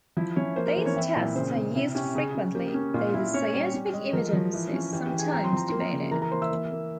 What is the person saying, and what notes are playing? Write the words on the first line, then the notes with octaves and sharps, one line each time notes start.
These tests are used frequently, though the scientific evidence is sometimes debated.
F3 E4 E5
F3 C#4 C#5
A#3 C5
A#4
E3 C5
C#4 C#5
C4 E4 E5
A#2 E4 E5
C#3 C5
C#3
C3 E4 E5
C#4 G4 G5
C#3 G#4 G#5
C#3
A#3 G4 G5
C#4
A#2 F4 F5
A#2 E4 E5
C#4 C#5
G3
C#4
G#3
F3 A#4
F3
E3
C#4
E3 G4 G5
G4 G5
E3
G#4 G#5
C4 A#5
C6
F3 A#5
A#3 C6
A#4 A#5
C#3
E3 A#4 A#5
A#4 A#5
A#3 C5 C6
E5 E6
A#3
A#3